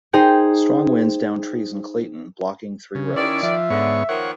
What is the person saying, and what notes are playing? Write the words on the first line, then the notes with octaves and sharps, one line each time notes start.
Strong winds downed trees in Clayton, blocking three roads.
D#4 G#4 C5 G5
C#3
D#3 C#4 E4 D5
F3 E5
G#2 D3 B3 C#5
D#3 F3 A#3 C#5 F#5